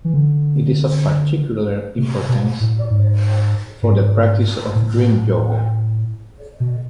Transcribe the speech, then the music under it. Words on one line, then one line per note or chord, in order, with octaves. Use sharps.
It is of particular importance for the practice of dream yoga.
E3
D3
C3
B2
A2
G#2
G#2
A2
B2